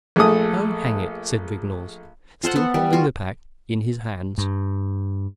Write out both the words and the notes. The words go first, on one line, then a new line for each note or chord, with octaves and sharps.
"Oh, hang it!" said Vignolles, still holding the pack in his hands.
A#1 A3 G#4 A4 D#6
F4 A4 C5 F#5
B3
G3
F4 F#4
G2